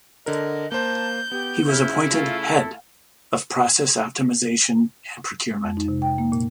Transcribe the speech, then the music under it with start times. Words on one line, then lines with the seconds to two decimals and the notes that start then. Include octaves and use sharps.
He was appointed Head of Process Optimization and Procurement.
0.26 D3 A#4 D#5
0.72 A#3 C5 A5 G6
1.32 B3 G4
1.68 C#3 E4 E5 F6
2.10 A3 F4
2.46 A4
5.51 G#3
5.64 F2
5.77 D#4
5.88 C3
6.02 G5
6.18 A#3
6.32 A#2